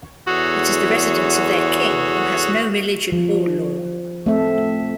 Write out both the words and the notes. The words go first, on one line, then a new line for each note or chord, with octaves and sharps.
It is the residence of their king who has no religion or law.
E2 F#4 G#4 A4 C#5
F3
A3 C4 A4 E5